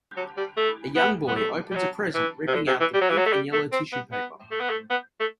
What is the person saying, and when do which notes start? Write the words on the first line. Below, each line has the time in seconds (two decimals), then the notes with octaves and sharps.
A young boy opens a present ripping out the pink and yellow tissue paper.
0.17 F#3
0.37 G3
0.57 A3
0.96 B3
1.28 B3
1.36 A3
1.71 G3
1.75 F#3
2.14 E3
2.47 C3
2.54 D3
2.67 C3
2.80 E3
2.94 G3
3.01 F#3
3.09 E3
3.17 F#3
3.26 A3
3.33 G3
3.53 A3
3.72 C4
3.92 B3
4.12 B3
4.51 A3
4.60 B3
4.70 A3
4.90 B3
5.20 A3